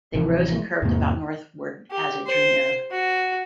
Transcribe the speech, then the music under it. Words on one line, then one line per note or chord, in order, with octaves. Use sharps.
They rose and curved about northward as it drew nearer.
A1 C3 E3 F3
E2 G#2 C3 A#3
G4
C5
F#4